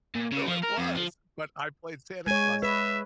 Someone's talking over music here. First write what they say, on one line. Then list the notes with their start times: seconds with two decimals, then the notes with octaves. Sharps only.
Oh, it was, but I played Santa Claus
0.15 A#2
0.32 C#3
0.47 F3
0.63 A#4
0.78 F2
0.96 F3
2.27 G#3 C#5 G#5
2.63 B4 E5